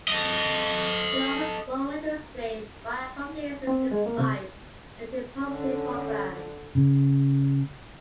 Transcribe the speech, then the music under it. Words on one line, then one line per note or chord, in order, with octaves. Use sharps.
It offers one way to explain why poverty exists despite anti-poverty programs.
A4 D#5
C4
G#3
A#3
C3
D3 C#4
C#3